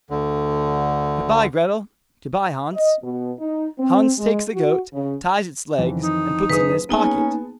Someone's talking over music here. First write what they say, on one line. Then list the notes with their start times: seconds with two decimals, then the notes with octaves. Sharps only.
'Goodbye, Gretel.' 'Goodbye, Hans.' Hans takes the goat, ties its legs, and puts it in his pocket.
0.10 D2 D3
2.74 D#5
3.03 B2
3.39 D#4
3.79 C4
4.18 G#3
4.52 F#4
4.93 C#3
5.78 F2 D#3 E3
6.02 D#4
6.50 F#1 G#4 B4 D#6
6.89 A#3 B3 C#4 D#4 G#4 G#5 A5